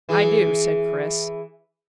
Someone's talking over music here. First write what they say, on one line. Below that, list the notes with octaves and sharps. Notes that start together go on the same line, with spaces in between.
"I do," said Chris.
E3 G#4